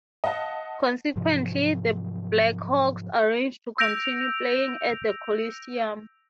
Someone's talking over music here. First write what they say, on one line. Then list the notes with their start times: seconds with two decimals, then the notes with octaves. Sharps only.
Consequently, the Blackhawks arranged to continue playing at the Coliseum.
0.24 D#5 F5 F#5 A5
1.16 G#2 C3 F3 F#3
3.78 E6 G6 A#6 D7 F7